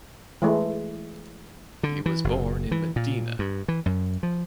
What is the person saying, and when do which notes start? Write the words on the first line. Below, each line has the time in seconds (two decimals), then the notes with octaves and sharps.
He was born in Medina.
0.42 E3 G#3 A3
1.83 D3
2.06 E3
2.24 F#1
2.71 E3
2.96 A#2
3.39 G2
3.68 E3
3.86 F#2
4.23 F3